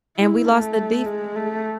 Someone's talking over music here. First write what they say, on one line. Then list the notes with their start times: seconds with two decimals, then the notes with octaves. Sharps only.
And we lost the defense
0.17 E4
0.46 A3
1.06 G#3
1.35 A3